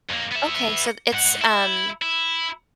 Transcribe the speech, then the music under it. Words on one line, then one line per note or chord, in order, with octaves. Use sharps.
Okay, so it's, um
F2 A#3
B3 E5
G#2 F#5
E4
E4